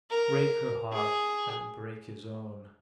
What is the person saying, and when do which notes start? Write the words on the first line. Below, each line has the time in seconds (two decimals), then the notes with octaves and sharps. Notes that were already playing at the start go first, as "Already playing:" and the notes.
Break her heart and break his own.
0.10 A#4
0.93 G#4